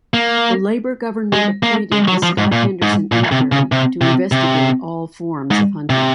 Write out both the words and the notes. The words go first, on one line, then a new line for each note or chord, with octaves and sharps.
The Labour government appointed the Scott Henderson Inquiry to investigate all forms of hunting.
A#3
G#3
A#3
G#3
F#3
F3
G#2
A#2
G#2
A#2
C3
C#3
C3
C3
C3
G#2
C3